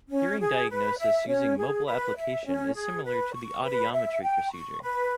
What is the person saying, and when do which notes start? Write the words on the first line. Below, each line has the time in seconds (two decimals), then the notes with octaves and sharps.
Hearing diagnosis using mobile application is similar to the audiometry procedure.
0.09 C#4
0.39 G#4
0.69 B4
0.98 E5
1.27 C#4
1.57 G#4
1.86 B4
2.16 E5
2.45 C#4
2.75 G#4
3.04 B4
3.33 C#6
3.62 B4
3.92 E5
4.22 G5
4.52 C#6
4.81 B4